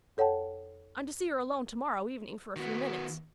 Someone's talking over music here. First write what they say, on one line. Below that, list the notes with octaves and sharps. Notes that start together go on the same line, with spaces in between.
I'm to see her alone to-morrow evening for a few minutes.
F2 A4 C#5 F#5 G5 A5
D#3 B3 F#4